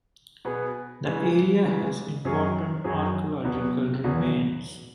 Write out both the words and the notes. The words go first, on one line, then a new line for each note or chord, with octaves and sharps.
The area has important archaeological remains.
B2 B3 G#4
C#3 E3 G#3
C#3 E3 G#3
F#2 F#3 C#4 G#4
F#2 F#3 C#4 G#4
E2 B2 F#3 B3
E2 B2 F#3 B3